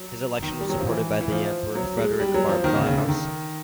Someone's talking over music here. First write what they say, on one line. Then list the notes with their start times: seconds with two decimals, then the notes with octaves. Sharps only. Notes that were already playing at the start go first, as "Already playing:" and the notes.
His election was supported by the Emperor Frederick Barbarossa.
Already playing: F#3
0.42 D#3
0.60 G3
0.70 F#3
0.78 F3
0.87 E3
1.21 E3
1.32 F3
1.75 F#3
1.97 G#3
2.20 G3
2.34 F#3
2.49 F3
2.64 D#3
2.76 C#3
2.86 C#3
2.98 D3
3.08 D#3